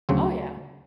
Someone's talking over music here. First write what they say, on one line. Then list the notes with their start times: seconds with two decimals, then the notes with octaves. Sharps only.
Oh yeah,
0.09 D2 C#3 F#3 C4